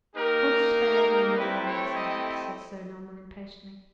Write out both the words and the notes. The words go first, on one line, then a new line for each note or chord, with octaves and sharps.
"God spare you your eye-sight!" said Sir Norman, impatiently.
A#3 D#4 G4 A#4
A3 C4 E4 G4 B4
C#5
D#5